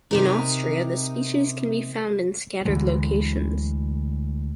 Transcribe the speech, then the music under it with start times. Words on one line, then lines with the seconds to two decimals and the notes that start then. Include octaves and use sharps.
In Austria, the species can be found in scattered locations.
0.11 C3 D#4 A#4
2.65 D2 D3 E3 G#3